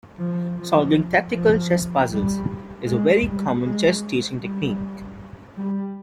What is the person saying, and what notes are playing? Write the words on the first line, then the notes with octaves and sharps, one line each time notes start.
Solving tactical chess puzzles is a very common chess teaching technique.
F3
F3
F3
G3
G#3
G3
G#3
G3
G3